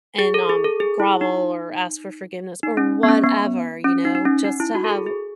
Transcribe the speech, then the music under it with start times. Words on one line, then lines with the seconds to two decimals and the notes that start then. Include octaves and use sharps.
and, um, grovel or ask for forgiveness or whatever, you know, just to have
0.19 G#4
0.34 A4
0.49 G#4
0.64 A4
0.80 G#4
1.00 E4
1.21 D#4
2.63 D#4
2.77 C#4
3.03 B3
3.09 C#4
3.24 B3
3.84 C#4
4.05 D#4
4.15 D#4
4.25 C#4
4.44 D#4
4.60 E4
4.75 F#4
4.84 A4
4.90 G#4
5.06 G#4